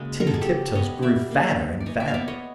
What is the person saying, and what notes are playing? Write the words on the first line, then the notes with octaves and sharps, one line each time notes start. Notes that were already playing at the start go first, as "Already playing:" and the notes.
Timmy Tiptoes grew fatter and fatter!
Already playing: C#3 G#3 A#3 F#4 G#4
F#3 A#4
A4
G#4
G4 A4
F#3
B3 C#5 D#5
G3 D5 E5
A#3
D#4
D5
E3 C#5 D#5
D5 E5
F5
B3 D5 E5
C#5 D#5